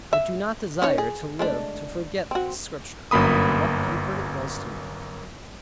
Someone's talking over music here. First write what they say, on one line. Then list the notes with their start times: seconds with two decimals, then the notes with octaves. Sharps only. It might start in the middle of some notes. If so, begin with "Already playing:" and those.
I do not desire to live to forget this Scripture, and what comfort it was to me.
0.13 E5
0.82 C#4 D#4 C#5
0.98 G#4
1.39 G#3 A3 D4
2.31 C4 F#4
3.11 G1 F#2 A#3 B5 D#6